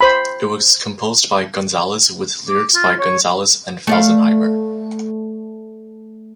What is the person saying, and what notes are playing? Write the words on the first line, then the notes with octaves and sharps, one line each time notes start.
It was composed by Gonzalez with lyrics by Gonzalez and Felsenheimer.
C5 B5
D6
F4
C#5
A3 D5 F5